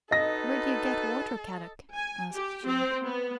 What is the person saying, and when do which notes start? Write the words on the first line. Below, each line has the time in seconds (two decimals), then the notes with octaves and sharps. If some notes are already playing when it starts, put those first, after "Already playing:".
"Where do you get water, Kadok?" asked Jean.
0.11 D#4 F#4 A4 B4 D#5 A#6
1.94 G#5
2.34 G4
2.66 C4
3.04 B3